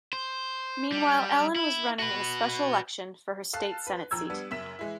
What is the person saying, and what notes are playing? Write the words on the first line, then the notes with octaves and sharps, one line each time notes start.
Meanwhile Allen was running in a special election for her State Senate seat.
C5
G3
E4
F#4 B4
A4 F5 A5 F#6 C7
B4
D#2 F3 A#5 E6 G#6
G3 B3 D4
F#1 F#2 E5 B6 E7
E3 G#3 E4